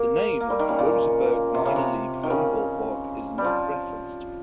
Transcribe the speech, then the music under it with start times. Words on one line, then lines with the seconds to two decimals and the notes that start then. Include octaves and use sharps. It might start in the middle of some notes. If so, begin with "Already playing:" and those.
The name of the Roseburg minor league home ballpark is not referenced.
Already playing: A#3
0.41 A#3
0.50 G3
0.59 D#3
0.69 C#3
0.79 A#2
1.55 C3
1.66 C#3
1.76 C3
2.23 D#3
2.30 C#3
3.38 G3
3.44 F3